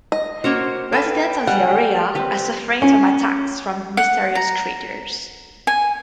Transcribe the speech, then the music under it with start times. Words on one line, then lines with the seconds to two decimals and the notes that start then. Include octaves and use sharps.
Residents of the area are suffering from attacks from mysterious creatures.
0.12 D#5
0.44 A#3 C#4 F#4 C5 C#5
0.93 A4 B4 F5 G5
1.47 G3 F#5 G#5
2.15 C4 G4 B4
2.82 C#4
3.97 F#5
4.35 A#5
5.67 G#5